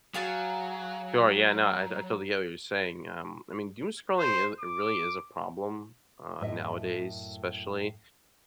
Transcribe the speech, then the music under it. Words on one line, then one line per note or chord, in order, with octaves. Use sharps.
Oh, yeah, no, I I totally hear what you're saying, um, I mean, doomscrolling is really is a problem, uh, nowadays, especially
F#3 G#4 F5 A5
C5
D6
F#2 A2 D#5 E5